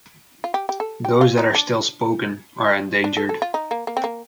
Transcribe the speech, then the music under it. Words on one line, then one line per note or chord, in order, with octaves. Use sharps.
Those that are still spoken are endangered.
F4
G4
G4
A4
G4
F4
D#4
D4
D4
A4
A4
F4
D#4
A#3
A#3
C4
A#3